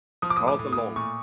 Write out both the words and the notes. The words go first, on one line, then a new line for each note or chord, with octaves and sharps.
Cars are long.
F3 D#6
D6
D#6
A2
D6
A2
D#6
A2
A#2 C#6